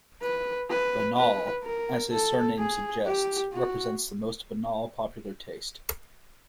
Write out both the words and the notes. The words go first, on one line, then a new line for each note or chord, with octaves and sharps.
"Bannal", as his surname suggests, represents the most banal popular taste.
B4
B4
B4
A#4
A4
G#4
G4
F#4